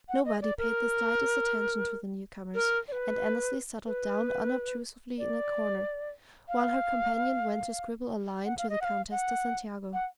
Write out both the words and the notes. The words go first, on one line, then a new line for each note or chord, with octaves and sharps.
Nobody paid the slightest attention to the newcomers, and Annesley settled down unobtrusively in a corner, while her companion went to scribble a line to the Countess de Santiago.
F#5
D#5
D5
A#4
A#4
D5
B4
B4
D5
F5
F#5
F5
D#5
F#5
F5
F#5
F#5